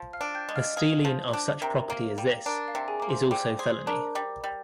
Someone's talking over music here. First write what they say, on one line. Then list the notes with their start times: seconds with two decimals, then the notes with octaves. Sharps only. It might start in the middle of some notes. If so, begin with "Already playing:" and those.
The stealing of such property as this, is also felony.
Already playing: F3
0.13 F5 F6
0.21 D4
0.35 G5 G6
0.49 G#3
0.56 F5 F6
0.76 G#4 F5 F6
1.05 F3
1.33 D4
1.61 C3 A#4 A#5
1.90 A#3
2.18 G3
2.46 D4 A#4 A#5
2.68 F5
2.75 C3
2.88 G#4 G#5
3.00 A#3 D6
3.09 C5 C6
3.31 G3 D5 D6
3.59 G#4 C5 C6
3.87 D4 A#4 A#5
4.15 G3 D5 D6
4.44 G3